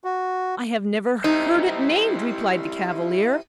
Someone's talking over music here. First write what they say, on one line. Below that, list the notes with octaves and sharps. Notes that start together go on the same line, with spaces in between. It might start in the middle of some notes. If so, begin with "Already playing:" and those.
"I have never heard it named," replied the Cavalier.
F#4
D#4 E4 G4 C5